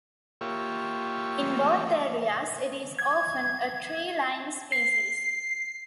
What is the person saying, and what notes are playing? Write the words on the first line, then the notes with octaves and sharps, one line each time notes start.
In both areas, it is often a tree line species.
A#3 F4 G4 C#5 E5
G#6
C7